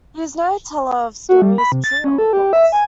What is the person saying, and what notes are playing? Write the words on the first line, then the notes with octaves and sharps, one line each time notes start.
He is no teller of stories, true or false.
F#4
G3
B5
C3
A6
C#4
A4
G4
E5
G#5